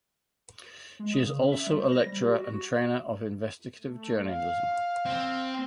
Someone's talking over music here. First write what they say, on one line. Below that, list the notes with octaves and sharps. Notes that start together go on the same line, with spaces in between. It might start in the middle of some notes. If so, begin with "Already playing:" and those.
She is also a lecturer and trainer of investigative journalism.
G#3
D#6
C#3
C#4
E5
G3
C5
A#6
G3
G4
F#4
F#4
A3
F5
C4